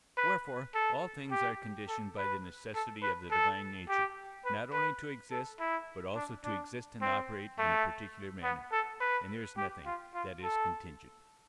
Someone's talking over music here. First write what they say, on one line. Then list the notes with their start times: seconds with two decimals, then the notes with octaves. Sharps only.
Wherefore all things are conditioned by the necessity of the divine nature, not only to exist, but also to exist and operate in a particular manner, and there is nothing that is contingent.
0.18 B4
0.75 A4
1.31 G4
1.89 A4
2.18 B4
2.75 A4
3.03 B4
3.31 A4
3.89 G4
4.45 B4
4.73 B4
5.31 A4
5.60 E4
6.15 D4
6.44 D4
7.02 C4
7.59 A3
8.43 B3
8.72 A4
9.01 B4
9.57 G4
9.86 F4
10.15 F4
10.44 A4